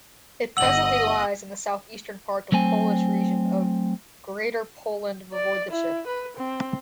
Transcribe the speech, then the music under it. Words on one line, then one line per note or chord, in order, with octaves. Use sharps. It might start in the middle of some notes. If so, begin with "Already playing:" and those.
It presently lies in the south-eastern part of Polish region of Greater Poland Voivodeship.
G1 D#5 F#5 E6 F#7
F#3 A3 C4 G#5
D5
E4
B4
C4